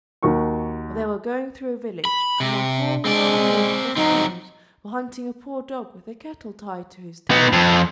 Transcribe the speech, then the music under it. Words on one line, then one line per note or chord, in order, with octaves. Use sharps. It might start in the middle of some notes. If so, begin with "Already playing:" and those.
Well, they were going through a village, and a whole army of gossoons were hunting a poor dog with a kettle tied to his tail.
D#2 F#4 A#4 C#6
B5
C3
G#3 C4 D5
F#3 C4 D#4
B3 D#4
F2